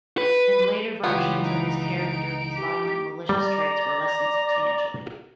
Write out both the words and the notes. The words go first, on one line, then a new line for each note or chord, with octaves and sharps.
In later versions of his character these violent and malicious traits were lessened substantially.
B4
C#2 E3 B3 F4 G4 C#5
D#4 D7
G4
G3 D5 A#5